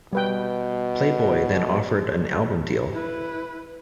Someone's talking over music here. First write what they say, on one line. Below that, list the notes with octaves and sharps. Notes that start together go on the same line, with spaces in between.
Playboy then offered an album deal.
B2 G3 B4 G5
E4 B4